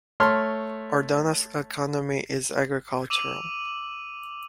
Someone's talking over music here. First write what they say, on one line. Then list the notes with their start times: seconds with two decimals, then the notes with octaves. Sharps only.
Ordona's economy is agricultural.
0.20 A3 C#5 C6 F6
3.10 D6 E6 D#7 F7 F#7